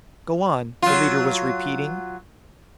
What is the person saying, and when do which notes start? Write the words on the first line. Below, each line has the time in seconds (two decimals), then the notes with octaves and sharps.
"Go on," the leader was repeating.
0.82 F#3 F4